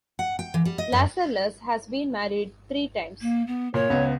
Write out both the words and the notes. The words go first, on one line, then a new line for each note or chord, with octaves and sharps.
Lascelles has been married three times.
F#5
G5
E3
G3
D#5
F#2
A#3
B3
A#2 C#5
C#2 B3